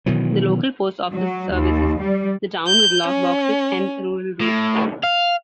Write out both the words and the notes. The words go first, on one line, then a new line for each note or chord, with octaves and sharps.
The local post office services the town with lock boxes and rural routes.
B2 D#3 E3 F#3
F#3
D#2
G3
G6
C#4
A2
F5